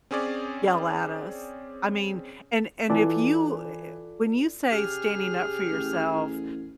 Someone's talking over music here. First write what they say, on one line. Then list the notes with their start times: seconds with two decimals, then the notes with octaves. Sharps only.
yell at us." I mean and and if you eh eh when you say standing up for yourself,
0.11 C4 C#4 G#4 C#5 D5
2.90 E3 F4 A4 D5
4.72 C#3 G4 G#4 F6
5.71 A1